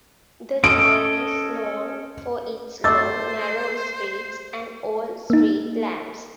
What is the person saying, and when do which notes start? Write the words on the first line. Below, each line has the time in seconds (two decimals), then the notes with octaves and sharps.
The town is known for its long, narrow streets and old street lamps.
0.64 C#4 A4 D#5 D7
2.84 A3 C5 D#5 D6 E6 A6
5.30 A#3 D#4